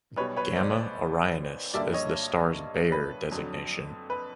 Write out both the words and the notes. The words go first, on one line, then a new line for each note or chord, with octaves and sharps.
"Gamma Orionis" is the star's Bayer designation.
B1 B2 G3 B4 C#5
B4 C#5
C5 D5
G2 D3 G3 A#3 D5 E5
C#5 D#5
B4
F2 D3 F#3
B4